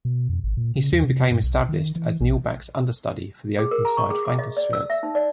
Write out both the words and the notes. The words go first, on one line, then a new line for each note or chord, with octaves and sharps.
He soon became established as Neil Back's understudy for the openside flanker shirt.
B2
F2
G#1
A#2
C#3
E2
C3
G2
B1
D#3
E3
A#1
G#4
A#4
A#5
C#6
G#4
D6
D#5
D5
E6
E5
D#4
D5